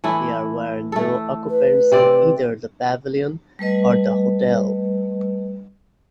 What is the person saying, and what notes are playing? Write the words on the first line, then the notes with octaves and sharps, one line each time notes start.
There were no occupants in either the Pavilion or the hotel.
E3 A3 E4
A3 A4
B4
C3 C4 D5
G3 A3 B4 D#5